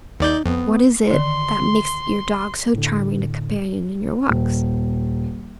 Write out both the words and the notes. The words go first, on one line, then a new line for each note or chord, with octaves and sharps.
What is it that makes your dog so charming a companion in your walks?
D#2 D#4 D5 G6
F2 B3
D3 D#3 C6
A2 D3
D#1